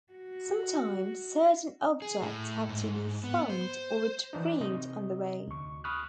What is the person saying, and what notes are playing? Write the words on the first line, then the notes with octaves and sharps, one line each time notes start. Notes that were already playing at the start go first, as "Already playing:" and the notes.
Sometimes certain objects have to be found or retrieved on the way.
F#4
G#4
A2
G#2
B3
C5
E3 D4 D#4
C3 D#4 D#5
D2 C#6
B5 C#6 D#6 F6 F#6